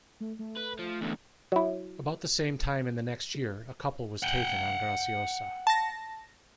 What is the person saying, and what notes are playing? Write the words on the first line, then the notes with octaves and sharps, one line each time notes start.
About the same time in the next year, a couple was taken on Graciosa.
A3
A3
B4
F3
E2 D3
F#3 E4
F#5 G5
A5 A#6